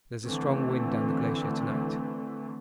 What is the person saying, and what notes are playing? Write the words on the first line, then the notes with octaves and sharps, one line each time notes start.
There is a strong wind down the glacier to-night.
D3 E3 A3 C4